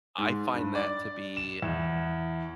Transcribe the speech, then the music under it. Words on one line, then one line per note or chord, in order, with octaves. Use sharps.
I find that to be
G#2
G2
D5
E7
E2